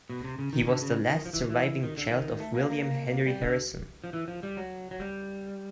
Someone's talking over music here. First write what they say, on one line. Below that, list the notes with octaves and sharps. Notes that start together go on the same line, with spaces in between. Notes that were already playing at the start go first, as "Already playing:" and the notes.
He was the last surviving child of William Henry Harrison.
B2
C3
C#3
D#3
D3
C#3
D#3
F3
E3
D#3
E3
D#3
D3
D#3
A3
A#3
A#3
G3
D3
F3
E3
F3
G3
F#3
F#3
G3